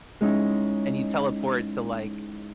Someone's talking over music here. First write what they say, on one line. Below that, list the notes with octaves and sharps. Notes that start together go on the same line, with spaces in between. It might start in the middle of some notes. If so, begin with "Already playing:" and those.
and you teleport to, like
G#3 C#4 D#4 E4